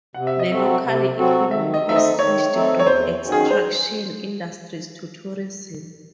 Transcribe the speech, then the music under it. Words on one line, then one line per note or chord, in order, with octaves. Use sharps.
The local economy has switched from extraction industries to tourism.
C3 F#5
E5
D#5
F#3 C4 F#4 A4 E5
C3
F#3 C4 F#4 A4
D#3 E5
D#5
A3 C4 D#4 A4 E5
D#5
D#3 C#5
A3 C4 D#4 A4
C#5
E2 C5
D#3 F#3 C#4
G#4
C5